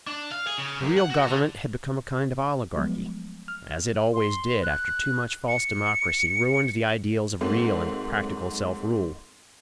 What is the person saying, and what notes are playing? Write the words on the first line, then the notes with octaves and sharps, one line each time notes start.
The real government had become a kind of oligarchy, as it always did after too much false democracy ruined the ideals of real and practical self-rule.
D4
F5
G#4
C#3
F#2
F#5
F#4
D3
F3 F#3 G#3 A3 B3
F6
C6
F#6
C#7
G#2 F#3 A3 A#3 C4